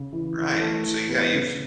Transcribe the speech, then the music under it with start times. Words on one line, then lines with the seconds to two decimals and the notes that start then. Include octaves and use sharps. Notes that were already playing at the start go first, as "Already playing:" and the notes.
Right. So yeah, you've
Already playing: C#3
0.13 E3
0.38 E3
0.61 A3
0.86 E3
1.09 B3
1.34 C#3